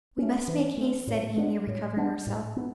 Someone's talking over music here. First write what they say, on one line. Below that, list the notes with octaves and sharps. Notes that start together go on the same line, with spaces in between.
'We must make haste,' said Amy, recovering herself.
A3 C#4
E3
A3 C#4
A2
G#3 B3 D4
A2
G#3 B3 D4
A2
B3